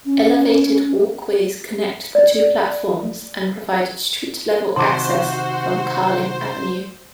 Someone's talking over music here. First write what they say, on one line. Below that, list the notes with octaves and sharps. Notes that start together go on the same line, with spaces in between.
Elevated walkways connect the two platforms and provide street level access from Carling Avenue.
C#4
D5
C3 D#3 F#4 C5 A5 C6 D6